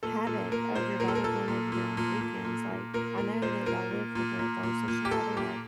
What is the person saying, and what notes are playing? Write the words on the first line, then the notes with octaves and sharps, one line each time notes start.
habit of your daughter going over there on the weekends? Like, I know that y'all lived with her at first, so she probably had
A#2 A4
A#2 A4
A#2 A#4
A#2 C5
A#2 A#4
A4
A#4
A#2 A4
A#2
A#2
A#2
A#2
A#2
A#2
A#2 A#4
A#2 A#4
A#2 C5
A#2 A#4
A#2
A#2
A#2
A#2
A#2
G4
A#2 A4
A#2 G4